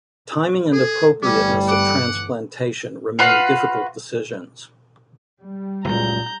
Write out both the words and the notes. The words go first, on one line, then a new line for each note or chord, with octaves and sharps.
Timing and appropriateness of transplantation remain difficult decisions.
G#4 A4
G1 E3 G3 A3 C#4 D6
F#5 D6 D7
F4 F#4 B4 F5
G3
F#1 C#2 A#2 A#5 G6